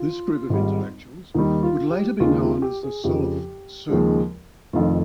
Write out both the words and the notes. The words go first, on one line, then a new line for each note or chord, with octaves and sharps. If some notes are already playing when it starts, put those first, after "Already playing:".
This group of intellectuals would later be known as the Solf Circle.
Already playing: F4
G#1 G#2 G3
D#2 D#3 G3 D#4
F4
G4
D#2 C#3 G#3 F4
F4
G4
G#4
F2 C#3 F3 G4
D#2 C#3 F3 G#3
F1 F2 D#3 F4